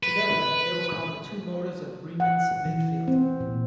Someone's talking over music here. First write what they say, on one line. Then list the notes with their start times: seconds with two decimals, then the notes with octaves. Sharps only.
Together, they were called the "two motors of Bremen's midfield".
0.03 B4
2.20 F#5
2.66 E3
3.08 C4
3.41 A#2